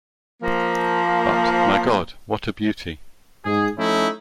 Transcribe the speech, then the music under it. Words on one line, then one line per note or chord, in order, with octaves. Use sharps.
But, my God, what a beauty!
F3 A#3
G#2 G#4
F3 A3 C#4 D#4 E4